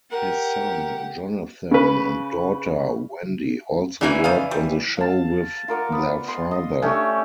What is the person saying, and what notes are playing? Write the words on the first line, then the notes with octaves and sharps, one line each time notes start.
His son, Jonathan, and daughter, Wendy, also worked on the show with their father.
G4 A#4 F#5
C#3 B4
C#3 E3 A#3 E4 D5
D#4 D5 F5
G3
F5 A5
F4 A#4 D5 F#5
B3
C6
D#5
A3 C#4 D4 G4